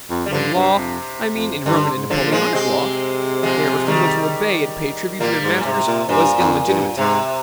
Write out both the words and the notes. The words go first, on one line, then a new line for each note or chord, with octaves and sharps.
But in law--I mean in Roman and Napoleonic law--their refusal to obey and pay tribute to their masters was illegitimate.
F2
G3
G2 D3 F3
G2 C3
F2
F2
G2 D3
G#2
D3 F3
A#2
F3 G#3
C3 G#3 C4
F3 G#3
D#3 G3
A#2 G3 A#3
G#2
A#2
G#2 C3
A#2
G2 A#2
F2
G2
G#2 C3